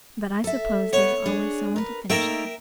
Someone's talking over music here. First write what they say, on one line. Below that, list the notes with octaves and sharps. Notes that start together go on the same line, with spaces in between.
"But I suppose there's always some one to finish it."
A4 E5
B3 C#5
D4 G#4
A#4 B4
A3 A#3 D#4 A#4 E5 G5